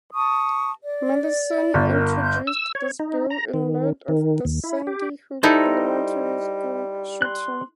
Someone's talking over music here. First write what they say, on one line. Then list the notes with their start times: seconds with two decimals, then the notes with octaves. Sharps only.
Matheson introduced this bill in light of the Sandy Hook Elementary School shooting.
0.14 A5 C#6 D#6
0.85 D5
1.74 G1
1.90 A#4
2.21 C6 G6
2.47 E6
2.75 C#5
2.99 D#4
3.30 A#5
3.54 D#3
4.08 D#3
4.45 D#2
4.64 E4
4.87 G4
5.43 G3 D#4 E4 A4 C5 D#5 A#5
7.22 C6 F#6